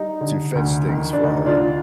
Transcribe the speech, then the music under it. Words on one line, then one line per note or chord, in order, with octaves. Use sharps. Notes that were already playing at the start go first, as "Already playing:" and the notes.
to fetch things for her,
Already playing: G3 D#4
D3
D2
D#3
D4
D2 D#4
D4 F4
D3